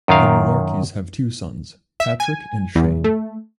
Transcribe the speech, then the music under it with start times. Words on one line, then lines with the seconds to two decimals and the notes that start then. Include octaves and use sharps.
The Mularkeys have two sons, Patrick and Shane.
0.08 F#2 D#3 F5
2.00 E5
2.20 G#5
2.75 E2
3.04 A3